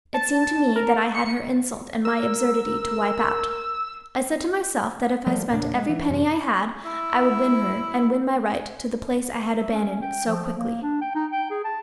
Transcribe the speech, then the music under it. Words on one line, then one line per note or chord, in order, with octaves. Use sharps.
It seemed to me that I had her insult and my absurdity to wipe out; I said to myself that if I spent every penny I had, I would win her and win my right to the place I had abandoned so quickly.
A5
A#4
C#7
A#4 E6
F3 G3 A3 A#3
E1 A#2 C#3 D4
G#3
E3
F#2 C3
E4
E5
C#4
G5
F3
F3
A#3
D4
G5
D#4
G5
G#4
A5